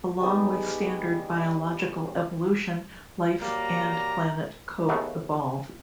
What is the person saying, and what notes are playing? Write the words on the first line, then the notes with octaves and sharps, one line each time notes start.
Along with standard biological evolution, life and planet co-evolve.
G3 G#3 B3 D#4
F#3 G3 A#3 A#5
D#2 A3 B3 G#4 C#5